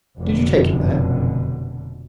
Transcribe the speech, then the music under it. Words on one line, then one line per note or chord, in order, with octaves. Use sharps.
'Did you take him there?'
F1 F#2 B2 D3